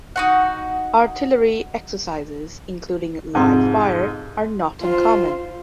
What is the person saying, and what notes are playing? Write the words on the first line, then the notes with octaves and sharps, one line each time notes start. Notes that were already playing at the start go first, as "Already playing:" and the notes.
Artillery exercises, including live fire, are not uncommon.
D#4 F#4 F#5
F2 G#2 C3
F4 C5